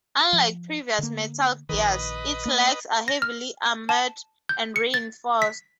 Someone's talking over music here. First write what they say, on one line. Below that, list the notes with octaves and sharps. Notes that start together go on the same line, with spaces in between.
Unlike previous Metal Gears, its legs are heavily armored and reinforced.
F3
D3 A#3
A#1 D#3 B4 D#5
A#3 B3
A#6
F6
A5
G6
C#7
A6
B6